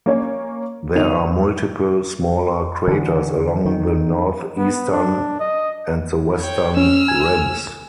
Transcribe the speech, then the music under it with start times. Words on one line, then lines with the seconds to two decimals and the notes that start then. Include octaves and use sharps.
There are multiple smaller craters along the northeastern and the western rims.
0.06 A#3 C#4 C#5
0.95 G1 D#3 D#7 F7
2.88 D3 E3
3.65 D#3
4.58 B3
4.92 D4
5.40 D#5
6.38 C#5 G5
6.77 C#4 E6 F6
7.08 G#5